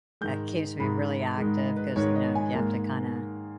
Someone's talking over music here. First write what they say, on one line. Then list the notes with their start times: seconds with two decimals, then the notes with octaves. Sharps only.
it keeps me really active, 'cause, you know, you have to kinda,
0.21 G#2 D#3 G#3 G6
0.79 G#2 D#3 G#3 B5
1.37 G#2 D#3 G#3
1.57 D#5
1.76 B4
1.96 G#2 D#3 G#3 C#5
2.16 D#5
2.35 G#5
2.54 G#2 D#3 A#3